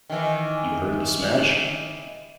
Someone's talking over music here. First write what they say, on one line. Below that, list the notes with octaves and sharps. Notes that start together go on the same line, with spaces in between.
You heard the smash?
D#3 E3